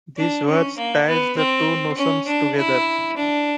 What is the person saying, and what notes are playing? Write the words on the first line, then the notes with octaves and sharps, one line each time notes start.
This verse ties the two notions together.
D4
C#4
A#3
B3
C4
C#4
D4
E4
D4